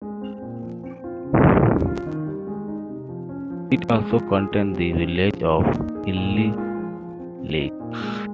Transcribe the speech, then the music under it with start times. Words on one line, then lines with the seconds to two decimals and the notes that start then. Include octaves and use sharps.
It also contains the village of Killyleagh.
0.02 G#3
0.21 C4
0.42 A#2
0.62 F3
0.83 C4
1.04 F4
1.24 C#3
1.45 G3
1.66 C#4
1.86 F4
2.06 D#3
2.27 G3
2.47 G#3
2.68 D#4
2.89 C3
3.09 F3
3.29 C#4
3.50 F3
3.70 F3
3.90 G#3
4.11 F4
4.32 G#4
4.52 G3
4.72 C4
4.93 C#4
5.13 G#4
5.34 F3
5.55 A#3
5.75 D#4
5.95 G#4
6.16 A#2
6.36 G#3
6.58 F4
6.77 F3
6.98 F3
7.19 C4
7.39 C4
7.59 D#4
7.80 A#2
8.00 G#3